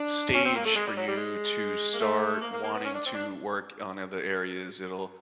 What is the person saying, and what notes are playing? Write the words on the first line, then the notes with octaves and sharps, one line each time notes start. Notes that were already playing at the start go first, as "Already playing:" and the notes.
stage for you to start wanting to work on other areas. It'll
Already playing: D4
C#4
C4
A#3
A3
G#3
G3
F#3
G3
G#3
A#3
A3
A#3
A#3
A#3
B3
C#4
D4
C4
D4